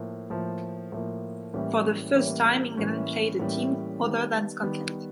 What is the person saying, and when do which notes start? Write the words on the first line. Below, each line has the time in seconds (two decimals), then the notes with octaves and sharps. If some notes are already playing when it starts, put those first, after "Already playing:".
For the first time, England played a team other than Scotland.
Already playing: A2 F3 A#3
0.30 A2 F3 A#3
0.92 A2 F3 A#3
1.54 A2 E3 G3 A#3 C#4
2.16 A2 E3 G3 A#3 C#4
2.77 A2 E3 G3 A#3 C#4
3.40 A2 E3 G3 A#3 C#4
4.01 D#3 G3 B3
4.63 D#3 G3 B3